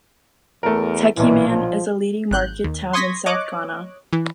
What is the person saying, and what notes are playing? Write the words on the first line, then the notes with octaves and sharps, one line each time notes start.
Techiman is a leading market town in South Ghana.
E2 A3 A#4
B1 A#2 E3
F3
G#1 F#6 G6
D#2
C6 C#6 D#6 G#6 A#6 B6
C#5 D#5 D6 F#6
E3